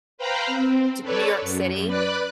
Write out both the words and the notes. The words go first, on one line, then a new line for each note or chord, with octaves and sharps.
t New York City.
B4 C5 F5 G5 A#5 B5
C4
A4 B4 C#5 D5
F#2
B4 D5 B5 F#6